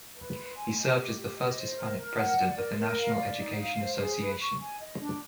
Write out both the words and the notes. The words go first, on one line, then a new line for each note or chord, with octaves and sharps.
He served as the first Hispanic president of the National Education Association.
B4
C6
G#5
D#5
G4
G4
D#5
C5
A#4
A#4
F#5
D5
A#4
A#4
F5
D5
D#4
F5
C5
G#4
B4
C#6
G#5
D#5
D4